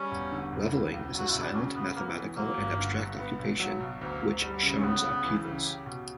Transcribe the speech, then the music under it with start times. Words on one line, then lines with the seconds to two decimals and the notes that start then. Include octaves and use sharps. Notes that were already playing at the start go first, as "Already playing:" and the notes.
Leveling is a silent, mathematical, and abstract occupation which shuns upheavals.
Already playing: G3 C#4
0.11 E1
0.32 D3
0.52 E2
0.73 C#2
0.94 C#2
1.14 F#3 F#4
1.30 B2 E4
1.42 D4
1.55 C#3 C#4
1.75 C#3 B3
1.96 A#3 B3
2.16 E3
2.36 F#3 A#3
2.57 G1
2.78 D3
2.98 G2
3.18 B3
3.39 B1
3.60 F#3
3.80 B2
4.01 D2 A#3
4.21 D2
4.42 G3
4.63 C#3
4.78 C#4
4.83 C#2 B3
5.03 C#2
5.24 E3
5.44 C#3
5.65 G4
5.86 B2